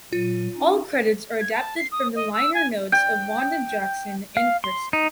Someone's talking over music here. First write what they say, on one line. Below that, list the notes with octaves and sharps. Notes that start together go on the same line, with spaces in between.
All credits are adapted from the liner notes of "Wanda Jackson in Person".
A#2 F#3 F4
C#4 D#4
G#6
A5
C7
D#6
D#5
E6
G#5
G5
F5
C6
D#4